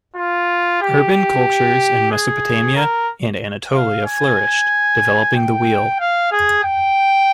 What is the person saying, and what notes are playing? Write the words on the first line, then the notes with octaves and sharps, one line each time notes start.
Urban cultures in Mesopotamia and Anatolia flourished, developing the wheel.
F4
G4
G#4
A#4
F5
G#5
G5
F5
G#4
G5